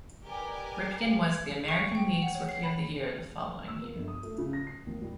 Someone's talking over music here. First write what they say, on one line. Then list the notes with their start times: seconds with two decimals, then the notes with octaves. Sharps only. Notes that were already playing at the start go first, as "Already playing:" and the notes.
Ripken was the American League's Rookie of the Year the following year.
0.24 G4 A#4 B4 D5 D#5 G#5
1.68 C#6
1.95 G5
2.22 F#5
2.35 C#5
2.49 C7
2.63 B5
3.68 E6
3.82 A#3
3.96 G1
4.08 D#6
4.23 A3
4.38 C#3
4.53 A#6
4.67 C7
4.87 D#2
5.01 G3